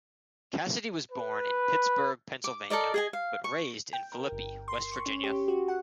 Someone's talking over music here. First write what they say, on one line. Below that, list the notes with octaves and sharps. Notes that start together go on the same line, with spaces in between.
Cassidy was born in Pittsburgh, Pennsylvania, but raised in Philippi, West Virginia.
B4
D6
A4 A#4 D5 D#5
G#4 D#5 G#5
F5
C#6
G5
A#4
G1
C6
C#6
C#4
G4
F#4
F#5